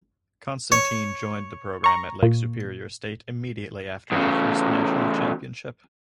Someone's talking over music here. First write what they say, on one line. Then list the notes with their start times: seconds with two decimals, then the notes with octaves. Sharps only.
Constantin joined the program at Lake Superior State immediately after their first National Championship.
0.72 C#5
1.84 A#5 C#6
2.23 A#2
4.12 E2 C#3